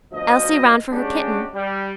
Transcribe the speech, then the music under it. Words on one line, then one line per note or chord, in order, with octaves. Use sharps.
Elsie ran for her kitten.
D2 B2 F3 D#5
G#3 C#4 D4 F#4 G4
G3